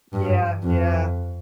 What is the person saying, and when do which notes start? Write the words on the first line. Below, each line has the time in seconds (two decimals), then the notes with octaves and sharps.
Yeah, yeah.
0.13 G2
0.63 F2